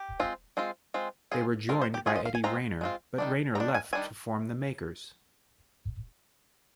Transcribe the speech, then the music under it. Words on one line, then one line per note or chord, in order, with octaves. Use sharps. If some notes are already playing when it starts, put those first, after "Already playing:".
They were joined by Eddie Rayner, but Rayner left to form The Makers.
Already playing: G4
G#3 C4 F4
G#3 C4 F4
G#3 C4 F4
G#3 C4 F4 G#4
G#3 C4 F4 A#4
C5
G4
G#3 C4 F4 G#4
D#5
F5
G#5
G#3 C4 F4 A#5
G#3 C4 F4
D#3 G3 D4
D#3 G3 D4 A#5
G#5
D#3 G3 D4 G#5